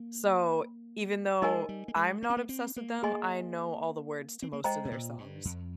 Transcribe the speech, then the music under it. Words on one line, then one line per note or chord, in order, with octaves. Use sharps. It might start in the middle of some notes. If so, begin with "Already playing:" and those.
so, even though I'm not obsessed with them, I know all the words to most of their songs.
Already playing: A#3
G#3 D#4 A#4 D#5 G#5
G3
A#3
G#3
A#3
C4
A#3
C4
A#3
A#3 G#4 D#5 G#5 C6
C4
A#3
G#3 C5 D#5 G5 A#5
C3
A#2
G2
F2